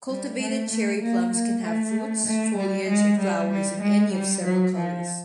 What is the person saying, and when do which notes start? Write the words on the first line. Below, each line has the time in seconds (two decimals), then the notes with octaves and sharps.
Cultivated cherry plums can have fruits, foliage, and flowers in any of several colours.
0.09 G3
0.40 A3
0.70 A3
1.02 A#3
1.33 A#3
1.63 A3
2.26 A3
2.57 G3
2.88 G#3
3.20 G3
3.50 G3
3.82 G#3
4.12 G3
4.43 F#3
4.75 F3